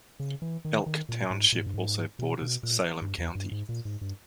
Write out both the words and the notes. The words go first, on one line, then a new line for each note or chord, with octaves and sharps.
Elk Township also borders Salem County.
C#3
E3
D#3
D#3
A#2
G#2
A#2
G#2
G2
G#2
B2
B2
A#2
G2
E2
G2
G#2
A#2
G#2
G2